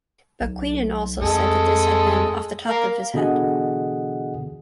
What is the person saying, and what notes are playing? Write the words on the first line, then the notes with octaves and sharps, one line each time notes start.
But Queenan also said that this had been "off the top of" his head.
B1
F2 G#3 A4
A#4 F5
B2 D3 E3 G#4 D#5 F#5